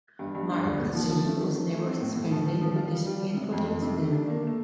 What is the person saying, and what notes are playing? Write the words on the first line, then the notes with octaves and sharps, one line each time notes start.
Markazi was never suspended or disciplined for the incident.
G2
G2
D4
D2
A#2
F3
F3
A3
D#3
D#3
A3
C4
A2
A2
F3
F3
F3
F4
G3
G3
G3
C3
F2
F2
C3
A3
D4
A#3
A3